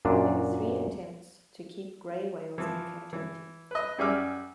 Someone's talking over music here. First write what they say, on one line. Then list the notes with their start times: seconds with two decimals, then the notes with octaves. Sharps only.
There were three attempts to keep grey whales in captivity.
0.05 F#2 A#2 D4
2.58 E3 F3
3.13 E3
3.71 B4 D#5
3.98 F#2 G3 G#4 E5 D6 F6